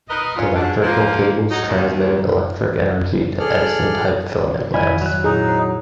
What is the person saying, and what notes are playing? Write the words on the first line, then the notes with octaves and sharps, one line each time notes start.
Electrical cables transmitted electric energy to Edison-type filament lamps.
D#4 A#4 B4 D#5
C#4 F4
G#2 B2 F#3 D4
F3 A#3
F#3 D#4
D#2
G#4 A4 D5 F6
F2 G#2 D#3 E4 F#5 G#5
F#3 F#6
A#2 D#4 E4 G#4
C5